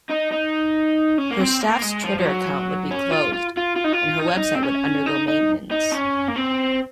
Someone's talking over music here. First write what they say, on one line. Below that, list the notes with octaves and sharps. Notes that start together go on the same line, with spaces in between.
Her staff's Twitter account would be closed and her website would undergo maintenance.
D#4
D#4
C#4
A#3
C4
A#3
G#3
F3
F3
F#3
C#4
F4
F4
F4
F4
D#4
F4
D#4
C#4
D#4
C4
C#4
D#4
D#4
D#4
C#4
A#3
C4